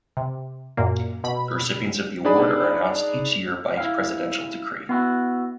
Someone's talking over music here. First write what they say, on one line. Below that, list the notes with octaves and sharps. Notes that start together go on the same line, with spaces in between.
The recipients of the award are announced each year by presidential decree.
C3
F#2 A#2 A#3
B2 B5
D4 D#4 G#4 D5 B5
E4 F5
B3 E4 F#4